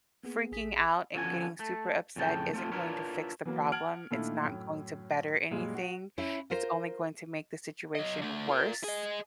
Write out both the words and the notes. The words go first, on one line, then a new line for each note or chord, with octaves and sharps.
freaking out and getting super upset isn't going to fix the problem, it's not going to better anything, it's only going to make the situation worse,
A#3 B3 G#4
A1 G#4 B6
D3 F3 B3 C#4 F#4 G#5
A3
F2 A2 C#3 A4 G5
A3 C4 F4
D4 E4 F4 A#4 B4 C#5
E3 F#3 A#3
F#5 A5 F6 G#6 D7 F#7
A#2 D#3 A3 D4 E4
F#2 A2
F#2 A#2 G3 G#3
F#4
C#4 E4
F4 A#4 C5
F#3 D#5
D3 A3
F4 A#4
G#4 D#5